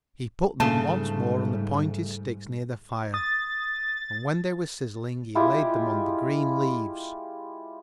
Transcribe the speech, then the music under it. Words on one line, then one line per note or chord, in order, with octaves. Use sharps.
He put them once more on the pointed sticks near the fire, and when they were sizzling he laid them on the green leaves.
G#2 C#3 G3 A3 A#3 A5
D#6 A6
G#3 E4 F4 G4